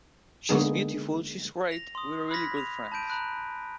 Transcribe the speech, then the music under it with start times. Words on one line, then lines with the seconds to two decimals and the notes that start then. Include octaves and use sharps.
She's beautiful, she's great; we're really good friends.
0.49 D3 G#3 A#3 B3 D#4 G#4
1.71 A#6 F7
1.95 C6 D#6
2.31 B5 F6 F#6 G#6 A#6 B6
2.57 F7
2.92 A5 B5 G6 D7 D#7
3.10 A#5 B5 F#6